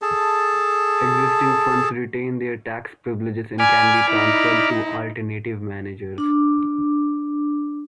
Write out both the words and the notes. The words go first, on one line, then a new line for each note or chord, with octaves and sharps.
Existing funds retain their tax privileges and can be transferred to alternative managers.
G#4 A4 A5
D5 G#5 B5 F6
D#4 E4
D4 D6